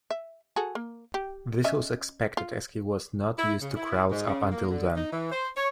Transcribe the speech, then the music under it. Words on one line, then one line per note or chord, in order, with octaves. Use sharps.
This was expected, as he was not used to crowds up until then.
E5
F#4 G#4 A4
A#3
G4
C#4 D#5 E5
F4
E4
C#3
E4
G#2
C#3
A#3
D3
D#4
E3
C5
C#5